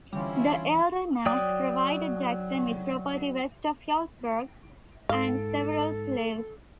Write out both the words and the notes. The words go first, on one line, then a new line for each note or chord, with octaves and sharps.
The elder Nash provided Jackson with property west of Hillsborough, and several slaves.
D3 E3 G3 C4 C#4 E4 F4
F#3 D5 G5 D#6
G#2 A4 F5